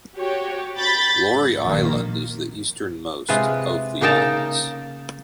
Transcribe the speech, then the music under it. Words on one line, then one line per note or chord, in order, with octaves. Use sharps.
Laurie Island is the easternmost of the islands.
F#4 G4 C#5
B5 G6 A6 B6
G1
A#1 D#3 A#3
C3 G#3 F4 B4
C#3 A#3 D#4 G5 A5 A#5